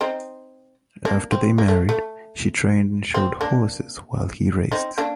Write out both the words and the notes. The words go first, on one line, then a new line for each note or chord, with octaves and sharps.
After they married, she trained and showed horses while he raced.
C4 D#4
A#3 D4
C4
A#3
A3
A3
C4
A#3 D4
C4 D#4
A#3 D4